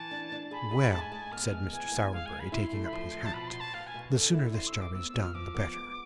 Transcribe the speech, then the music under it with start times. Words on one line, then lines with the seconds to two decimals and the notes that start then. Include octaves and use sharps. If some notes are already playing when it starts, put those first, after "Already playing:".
'Well,' said Mr. Sowerberry, taking up his hat, 'the sooner this job is done, the better.
Already playing: E3 A5
0.11 D4
0.32 D4
0.51 G#4 B5
0.71 G#4
0.92 G#2 A5
1.01 G#5
1.12 G#3 A5
1.22 G#5
1.32 B3 F6
1.52 G#3
1.72 E3 G#5
1.92 B3
2.13 G#3 F5
2.26 G#5
2.32 G#3
2.40 B5
2.52 E4 C6
2.73 A3
2.85 B5
2.93 F3 C6
3.13 F3
3.25 A5
3.33 B2 B5
3.47 C6
3.54 B2
3.60 A5
3.74 B2 F5
3.87 G#5
3.94 B2
4.14 D3
4.34 E4
4.54 C4 C6
4.67 E6
4.74 C4
4.81 D6
4.94 B3 E6
5.08 E6
5.14 F3
5.22 F6
5.34 F3 D6
5.55 B3
5.75 G#3